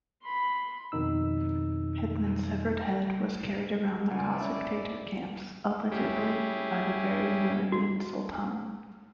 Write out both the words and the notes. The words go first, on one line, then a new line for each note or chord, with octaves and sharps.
Hetman's severed head was carried around the Cossack-Tatar camps, allegedly by the very Nuradin-Soltan.
B5 C6
F2 B2 D#3 D#4 E6
C#2 A#2 D5 F#5 G#5
C#4 E4 C#5
G3 C#4 E4 G4 G#4
F#4